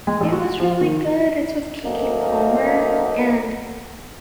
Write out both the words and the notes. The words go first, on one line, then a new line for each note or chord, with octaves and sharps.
It was really good. It's with Keke Palmer and
G#3
A1
F#4
F3
D#3
D2 F#3 A#3 D#4